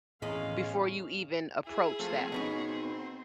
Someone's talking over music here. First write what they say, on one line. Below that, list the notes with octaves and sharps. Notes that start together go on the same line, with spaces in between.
before you even approach that.
E2 A2 G#3 C#4 D#5 F5 B5
E4 G#4
F3 A3 C4
B2 B3 C#4 D#4
C4